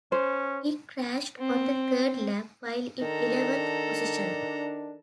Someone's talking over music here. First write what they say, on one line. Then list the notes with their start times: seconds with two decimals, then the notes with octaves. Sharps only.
He crashed on the third lap, while in eleventh position.
0.12 C#4 C5
1.38 C4
3.01 D#3 D4 A4 A#5